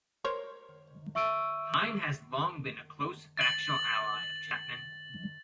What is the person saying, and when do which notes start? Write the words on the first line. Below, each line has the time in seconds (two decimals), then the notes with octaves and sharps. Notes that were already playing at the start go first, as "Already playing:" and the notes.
Pyne has long been a close factional ally of Chapman.
0.24 A#4 C5 C#5
1.15 E5 C#6 E6 D7 D#7
3.37 A6 F#7